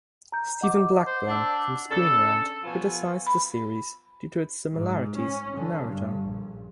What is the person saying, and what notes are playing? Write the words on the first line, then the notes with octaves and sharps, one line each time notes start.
Steven Blackburn from "Screen Rant" criticized the series due to its similarities to "Naruto".
A#5 G6
D#5 F#5 D6
C5
D4 F#5 E6
C#3 D4 A4
B2 F3 B3 F4 G#5
B5
G#2
C#4
D3
G2
A#1